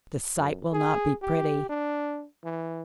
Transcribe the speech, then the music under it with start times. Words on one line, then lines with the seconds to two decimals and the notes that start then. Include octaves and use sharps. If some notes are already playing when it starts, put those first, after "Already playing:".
The sight will not be pretty.
0.36 F#2
0.72 G#4
1.21 G4
1.69 D4
2.44 E3